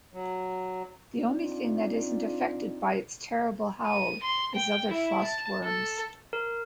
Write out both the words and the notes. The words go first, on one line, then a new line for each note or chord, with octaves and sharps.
The only thing that isn't affected by its terrible howl is other frost worms.
F#3
C4 D4 D#4 F4
D#7
C6
G5
E4
A5
A4
A#4